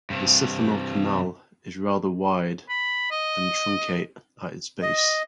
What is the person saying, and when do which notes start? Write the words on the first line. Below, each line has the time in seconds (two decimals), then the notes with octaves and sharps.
The siphonal canal is rather wide and truncate at its base.
0.10 G2 C3
2.69 B5
3.11 D#5
4.82 D#5